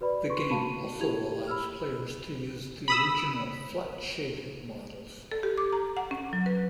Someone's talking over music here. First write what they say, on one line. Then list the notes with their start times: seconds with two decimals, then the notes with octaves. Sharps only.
The game also allows players to use the original flat-shaded models.
0.01 F#4 B4 D5 B5
0.30 C6 C#6
0.49 F#4 F5 A5 B5 D#7
1.00 E4 G4 G#6 F7
1.47 B5 E6 F6
2.88 B5 D#6 E6
5.32 A4
5.43 G4
5.58 D6
5.72 A#5
5.97 F#5
6.11 C#4
6.33 F#3
6.46 B4